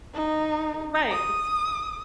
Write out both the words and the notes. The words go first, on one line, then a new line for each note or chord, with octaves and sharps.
Right, it's
D#4
D#6